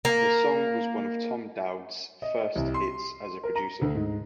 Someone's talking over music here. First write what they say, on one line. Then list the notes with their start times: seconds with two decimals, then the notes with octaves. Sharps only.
The song was one of Tom Dowd's first hits as a producer.
0.05 A#3
2.22 D#5
2.56 C2
2.74 C6
3.43 A#4
3.55 A#5
3.82 D2
3.95 G#2